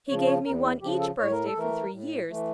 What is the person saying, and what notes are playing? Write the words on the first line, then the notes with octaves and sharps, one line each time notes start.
He gave me one each birthday for three years.
C#3 F3 C#5
C#5
E2 A#4
E4
C#3 F3 G4
A4
A2 C#5
A#4
A4
E3 A3 A#4
A2
E3 A3